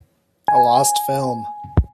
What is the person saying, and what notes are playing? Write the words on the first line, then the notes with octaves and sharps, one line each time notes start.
A lost film.
G#5